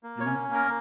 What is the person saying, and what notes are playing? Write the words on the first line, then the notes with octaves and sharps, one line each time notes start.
you know?
A#3
C#5
C#4
A#3
A#4